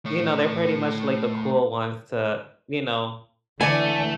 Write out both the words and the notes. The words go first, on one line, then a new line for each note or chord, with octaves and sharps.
you know, they're pretty much, like, the cool ones to, you know,
A3 C#5
D3 E3 A3 D5 G#5